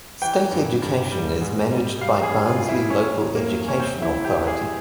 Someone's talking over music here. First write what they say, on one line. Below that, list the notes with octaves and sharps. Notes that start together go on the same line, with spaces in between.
State education is managed by Barnsley Local Education Authority.
E3 G5
G2
G2
G3
G#2
G3
G3 F5
G#4
G2
F4
G3
E4
E3 C#4
E2
A#3
E2
C#4
C#3 C4
E4
C#2
G4
C#2
G#4